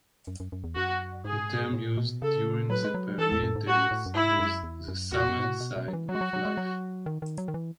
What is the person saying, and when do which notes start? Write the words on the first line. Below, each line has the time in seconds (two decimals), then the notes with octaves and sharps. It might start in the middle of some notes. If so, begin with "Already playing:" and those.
A term used during the pioneer days was the summer side of life.
0.27 F#2
0.40 F#2
0.52 F#2
0.64 E2
0.76 F#2 F#4
1.25 G#2 G#4
1.73 A2
1.97 B2
2.22 C#3 A4
2.70 F#3 B4
2.85 G#3
2.94 F#3
3.18 E3 A4
3.32 E2
3.43 F#2
3.56 G#2
3.67 A2 F#4
3.91 A2
4.06 F#2
4.15 G#2 E4
4.39 F#2
4.63 E2
4.88 F#2
5.12 E2 F#4
5.29 F#2
5.39 G#2
5.44 A2
5.60 B2
5.76 B2
5.88 F#3
5.93 E3
6.09 F#3 F#4
6.15 G#3
6.21 F#3
6.33 F#3
6.45 G#3
6.57 F#3
7.06 D#3
7.22 D#3
7.38 F#3
7.48 D#3
7.54 E3